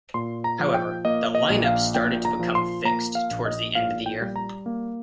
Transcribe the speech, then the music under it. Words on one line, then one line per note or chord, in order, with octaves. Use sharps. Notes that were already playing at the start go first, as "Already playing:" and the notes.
However, the lineup started to become fixed towards the end of the year.
A#2 C6
A#5
F3
G5
A#3 D#5
D#5
A#1
F5
A#2 G5
A#5
F3
C6
A#3 A#5
F5
A#1
D#5
A#2 F5
G5
G3
A#5
A#3